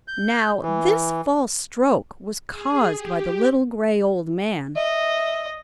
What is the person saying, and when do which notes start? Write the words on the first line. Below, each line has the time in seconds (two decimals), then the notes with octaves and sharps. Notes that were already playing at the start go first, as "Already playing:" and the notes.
Now, this false stroke was caused by the little gray old man.
0.08 G6
0.63 E3
2.50 G#4
2.95 G4
4.76 D#5 E5